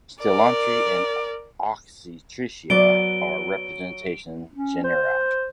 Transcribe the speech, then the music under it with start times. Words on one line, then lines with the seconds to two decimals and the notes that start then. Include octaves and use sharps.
"Stylonychia" and "Oxytricha" are representative genera.
0.21 A#4 D5
2.70 F#3 B3 D5 D7 G7
4.55 C#4
4.84 C5